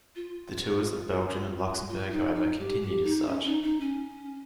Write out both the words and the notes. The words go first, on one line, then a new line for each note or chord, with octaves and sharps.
The Tours of Belgium and Luxembourg however continued as such.
F4
F4
D#4
D#4
G4
G4
D#4
C#4
D#4
D#4
C#4